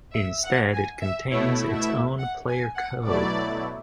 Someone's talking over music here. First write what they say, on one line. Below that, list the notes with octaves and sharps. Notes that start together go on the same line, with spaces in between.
Instead it contains its own player code.
E5
F#5
G#5
E5
B2 A3 E4 C#5
E5
F#5
G#5
F#5
B2 F#3 A3 E4 D5